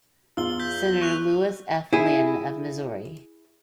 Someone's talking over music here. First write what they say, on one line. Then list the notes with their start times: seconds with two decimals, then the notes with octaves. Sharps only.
Senator Lewis F. Linn of Missouri.
0.37 E2 F4 E6 G7
0.60 G6 B6
1.02 C#6 F#6 F7
1.93 E4 G#4